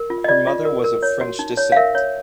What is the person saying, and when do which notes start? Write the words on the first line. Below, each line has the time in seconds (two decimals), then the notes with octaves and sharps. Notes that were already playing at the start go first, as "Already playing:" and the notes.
Her mother was of French descent.
Already playing: A#4
0.10 F4
0.24 D#5
0.28 F4 D5
0.47 F4
0.65 A#4
0.84 A#4
1.03 C#5
1.21 F#4
1.39 D#4
1.57 C#5
1.72 F5
1.77 A#4 E5
1.95 C#5